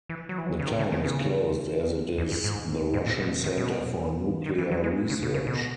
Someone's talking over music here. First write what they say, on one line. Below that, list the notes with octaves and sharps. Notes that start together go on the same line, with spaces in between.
The town is closed as it is the Russian center for nuclear research.
E3
F#3
E3
F#3
C#3
D#3
C#3
D#3
C#3
E2
F#2
G#2
G#2
A#2
B2
D#3
B2
D#3
E3
F#3
G#3
C#3
B2
C#3
B2